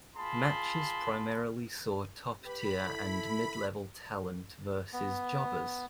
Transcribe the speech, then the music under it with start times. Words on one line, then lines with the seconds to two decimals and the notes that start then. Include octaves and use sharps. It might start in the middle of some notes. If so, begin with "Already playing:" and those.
Matches primarily saw top tier and mid-level talent versus jobbers.
0.17 F4 G#4 A5 B5 C6
2.43 G4 B4 B5
2.83 E4 A4
4.93 B3